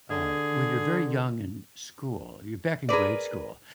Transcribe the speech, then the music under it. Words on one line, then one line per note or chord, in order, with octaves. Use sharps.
uh when you're very young in school you're back in grade school,
D3 G#4
G#4 A#4 B4 D5